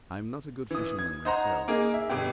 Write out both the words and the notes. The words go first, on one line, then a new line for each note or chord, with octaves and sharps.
I am not a good fisherman myself.
E3 D#6
G#6
D#4 C5 F#5 A#5
A#3 D#4 G#4
E5
G1 B2 G4